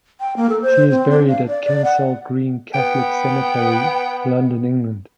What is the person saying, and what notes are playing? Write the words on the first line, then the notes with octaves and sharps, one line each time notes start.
She is buried at Kensal Green Catholic Cemetery, London, England.
G5
A#3
A4
C5
C4
D4
F5
D5
D5
F#5
B3 G5